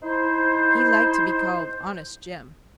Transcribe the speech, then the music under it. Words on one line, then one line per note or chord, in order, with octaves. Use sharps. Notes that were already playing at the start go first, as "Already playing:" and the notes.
He liked to be called Honest Jim.
D#4 E4 C5